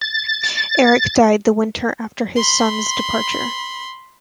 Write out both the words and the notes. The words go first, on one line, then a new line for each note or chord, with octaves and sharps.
Erik died the winter after his son's departure.
A6
B5 C6